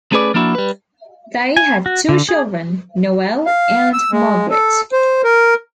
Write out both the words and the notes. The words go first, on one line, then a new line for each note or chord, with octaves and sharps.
They had two children, Noel and Margaret.
A3 C#4 G#4 B4 D5
F3 A#3 D4 E4 F#4
G3 B4
G#5
F#4
D3
G#4
F5
E6
G#3
A4
C5
A#4